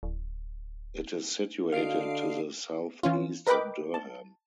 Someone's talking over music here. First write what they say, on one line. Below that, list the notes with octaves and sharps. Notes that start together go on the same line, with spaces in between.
It is situated to the south-east of Durham.
D1
D3 F#4 D#5 F5 C7 D7
E3 C#4 F4
A#4 B4 D#5 G5 B5 D6
A5